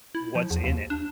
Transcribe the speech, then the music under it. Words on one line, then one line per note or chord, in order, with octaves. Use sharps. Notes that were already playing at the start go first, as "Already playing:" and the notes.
what's in it.
E4
F3
E2
D#2
D4